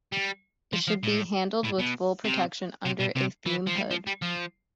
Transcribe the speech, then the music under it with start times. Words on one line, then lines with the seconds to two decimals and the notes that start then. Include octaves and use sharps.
It should be handled with full protection under a fume hood.
0.12 G3
0.73 F3
0.88 F3
1.03 A2
1.64 A2
1.79 B2
2.25 C3
2.85 C3
3.00 B2
3.16 C3
3.46 E3
3.67 F3
3.76 G3
3.91 F3
4.07 G3
4.22 F3